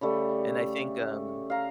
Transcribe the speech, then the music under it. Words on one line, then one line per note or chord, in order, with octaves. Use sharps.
And I think, um
C#3 G3 A3
F5 A#5